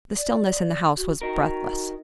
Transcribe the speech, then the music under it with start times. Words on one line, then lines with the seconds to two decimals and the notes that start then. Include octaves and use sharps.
The stillness in the house was breathless.
0.17 D5
0.97 F#4
1.22 D#4 F#4 A#4